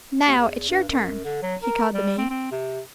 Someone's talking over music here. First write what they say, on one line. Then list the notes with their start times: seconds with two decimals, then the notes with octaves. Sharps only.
"Now, it's your turn," he called to me.
0.27 D#2
0.38 E2
0.68 G2
0.88 F#2
1.24 D3
1.43 F#3
1.63 A#4
1.94 G3
2.18 C4
2.30 C4
2.52 C3